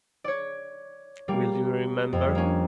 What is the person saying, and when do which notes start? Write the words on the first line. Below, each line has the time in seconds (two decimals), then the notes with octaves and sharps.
Will You Remember?
0.24 C#5 D5
1.28 G3 A#3
2.13 F2
2.35 A#3 C#4